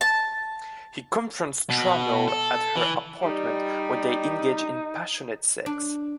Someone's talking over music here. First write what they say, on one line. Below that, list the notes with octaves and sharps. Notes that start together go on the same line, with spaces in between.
He confronts Tramell at her apartment where they engage in passionate sex.
A5
B2
A4
E3
G3 D#4
D4